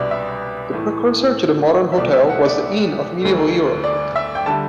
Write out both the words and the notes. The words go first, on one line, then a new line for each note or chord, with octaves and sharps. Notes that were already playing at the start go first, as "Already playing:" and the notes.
The precursor to the modern hotel was the inn of medieval Europe.
Already playing: C2 B2 G3 B3 D4 D5 E5
E5
A2 E3 A3
E5
C2 B2 A3 D5
E5
F#5
D5
D2 D3 A3
D5
E5
G5
D3 G3 A5